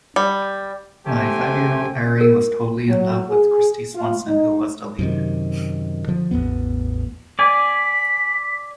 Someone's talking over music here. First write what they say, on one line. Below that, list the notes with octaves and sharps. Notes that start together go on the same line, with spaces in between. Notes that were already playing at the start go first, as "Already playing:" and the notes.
My five-year-old Ari was totally in love with Kristy Swanson, who was the lead.
G3
A3 G4 C5 G5 G#5
A#4
F#3
G#4
F4
D#4
F#2 C3 D#3
D3 F3
A1 E2 C3 B3
D5 G#5 B6